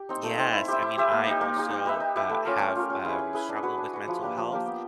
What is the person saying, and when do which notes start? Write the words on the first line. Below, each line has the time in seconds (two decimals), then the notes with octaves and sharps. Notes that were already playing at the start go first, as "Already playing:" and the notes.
Yes, I mean, I also, uh, have, um, struggled with mental health,
Already playing: G4
0.09 C4 D#4
0.23 A3
0.38 C4 D#4
0.53 E4
0.68 G4 C5 E5
0.82 E4
0.98 G4 C5 E5
1.11 A#3
1.27 D#4 G4
1.41 A#3
1.57 D#4 G4
1.71 D#4
1.85 G4 B4 E5
2.00 D#4
2.16 G4 B4 E5
2.30 A3
2.45 C#4 F4 A#4
2.60 A3
2.75 C#4 F4 A#4
2.90 C#4
3.05 E4 G#4 B4
3.19 C#4
3.33 E4 G#4 B4
3.49 D4
3.63 F#4 B4
3.78 D4
3.93 F#4 B4
4.08 F3
4.22 A#3 D4 G4
4.37 F3
4.52 A#3 D4 G4
4.66 B3